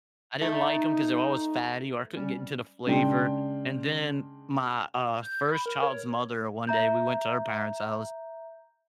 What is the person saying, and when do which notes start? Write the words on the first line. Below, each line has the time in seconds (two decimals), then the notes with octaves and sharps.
I didn't like 'em 'cause they're always fatty or I couldn't get into the flavor, and then my, uh, first child's mother, one day, we went to her parents' house,
0.41 A3 D#4
2.15 G3 C#4
2.86 C#3 G#3 D4 G5 C6
5.22 G6
5.51 B5
5.66 A#4
5.83 C#5
6.67 E5 A#5 G6